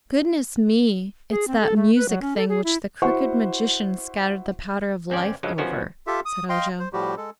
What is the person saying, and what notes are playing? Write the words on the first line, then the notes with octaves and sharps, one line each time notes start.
"Goodness me; it's that music thing which the Crooked Magician scattered the Powder of Life over," said Ojo.
G#4
C4
A4
A3
B4
F#3
C#4
A4
G#4
E4
E4 F#4 C5 F#5 C#6
G#1 C4 C#4 D5
C#2 G2 F3 F#3 G#3
C3 D#3 F3 B3 C#4 F#4
F4 G4 A4 E5
D#6
D#5 F5 G5 C6
C5
A2 F3 G3 F#4 G4
G#3 A4